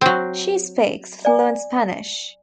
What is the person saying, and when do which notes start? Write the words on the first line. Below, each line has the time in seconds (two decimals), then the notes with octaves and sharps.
She speaks fluent Spanish.
0.01 F#3 C4
1.25 D5 G#5